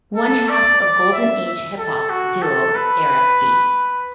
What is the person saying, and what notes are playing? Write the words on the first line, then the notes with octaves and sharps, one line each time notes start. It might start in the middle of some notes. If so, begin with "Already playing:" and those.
One half of golden age hip hop duo Eric B.
A4
D5
D5
E5
A4
F#4
A4
B4